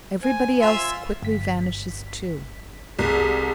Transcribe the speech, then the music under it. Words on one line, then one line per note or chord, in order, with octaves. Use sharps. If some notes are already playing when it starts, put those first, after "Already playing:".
Everybody else quickly vanishes too.
C5 G#5
F4 E5 C6
G1 B6
C2 G#4 A4